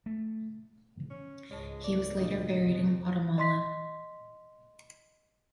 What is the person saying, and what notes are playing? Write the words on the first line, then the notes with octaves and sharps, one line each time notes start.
He was later buried in Guatemala.
A3
C#4
C#2 G#2 G#3 C#5 A5
E1 D5
D2 A#2 F3 F4 D#5
F2 C3
D#5 C6 B6